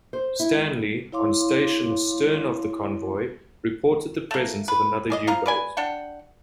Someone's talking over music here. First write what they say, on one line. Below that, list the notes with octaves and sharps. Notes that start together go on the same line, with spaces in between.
"Stanley", on station astern of the convoy, reported the presence of another U-boat.
C5
E4
G#3
E4 C#5 F5 C6 D6
A3 A#3
B4
G#4 D5 D#5
F3 F5 A#5
B4 D5 G#5
D4 F#5 G5